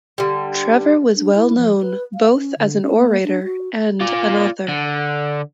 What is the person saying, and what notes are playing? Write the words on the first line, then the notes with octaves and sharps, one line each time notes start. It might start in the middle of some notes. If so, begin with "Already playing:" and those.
Trevor was well known both as an orator and an author.
D3 G3
D4
E4
F3
B4
F5
C#4
D3
C#4
A#3
D4
F#4
F4 D5
D3